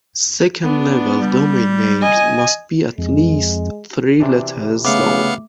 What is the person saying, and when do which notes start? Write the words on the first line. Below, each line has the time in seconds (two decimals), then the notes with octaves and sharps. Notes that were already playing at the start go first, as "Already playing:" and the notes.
Second-level domain names must be at least three letters long.
0.63 B3 D4
1.21 G3
2.01 D#5 G#5
2.98 F2 G#3
4.20 C3 E3 D4
4.85 C#3 A3 B3 E5 F5 D6 C#7